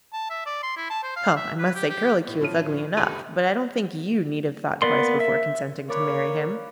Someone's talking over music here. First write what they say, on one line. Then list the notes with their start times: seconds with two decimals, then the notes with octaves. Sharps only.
'Well, I must say Curlicue is ugly enough, but I don't think YOU need have thought twice before consenting to marry him.'
0.13 A5
0.30 E5
0.46 D5
0.63 C6
0.77 E4
0.90 A5
1.03 C5
1.16 F5
1.37 E5
1.59 B4
1.75 G4
1.89 G4
2.27 A2
2.40 A2 F3 C#4 F6 D#7
2.97 F#1 C#2 G4 A4 B5 D#7
4.82 A#3 B3 D5 C6
5.20 E5
5.89 A#3 B4 C#5 D5 F5